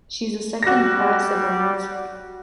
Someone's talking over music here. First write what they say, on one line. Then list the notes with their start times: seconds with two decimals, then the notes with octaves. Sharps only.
She's the second of five siblings.
0.63 G3 F#4 A#6